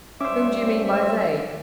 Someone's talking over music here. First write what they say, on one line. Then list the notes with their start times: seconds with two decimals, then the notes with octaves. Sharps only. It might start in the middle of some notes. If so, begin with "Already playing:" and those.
"Whom do you mean by they?"
0.21 G2 C#4 C5 E5 D6